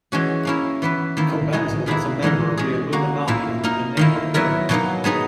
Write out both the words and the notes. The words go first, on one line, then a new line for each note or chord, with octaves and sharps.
Cobenzl was a member of the Illuminati under the name of Arrian.
E3 G#3 C#4 F#4
A#3 C#4 E4
E3 B3 E4 B4
D#3 A#3 E4
B2 G#3 D#4 G#4
D#3 A#3 E4 G#4 B4
E3 G#3 D#4 A#4
G#3 C#4 G#4
A#3 D#4 F#4
A#2 A#3 E4
A#3 D#4 A#4
D#3 A#3 E4
F#3 B3 E4 A#4
B2 F#3 A#3 D#4
G#3 B3 D#4 G#4